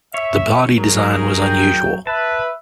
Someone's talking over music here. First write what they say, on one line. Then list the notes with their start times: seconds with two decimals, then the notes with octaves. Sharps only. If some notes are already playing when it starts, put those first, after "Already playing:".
The body design was unusual.
0.14 C#5 E5
0.78 F#3 D#4 G#4 A#4
1.42 G5
2.07 B4 E5 A5